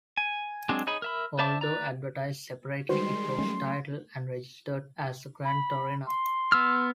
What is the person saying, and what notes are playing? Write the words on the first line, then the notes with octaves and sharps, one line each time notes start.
Although advertised separately, it was titled and registered as a Gran Torino.
G#5
F#3 G#3 C4 D4 G#4
D#4 G#4 C#5 D#5 B5
A#4 E5 B5
C5 D5 E5 A5 D6
B4 D5 A#5
D#3 G3 G#3 F#4 B4 C5 C6
F#3 A3 C#4
B5
C6
B3 E6 F6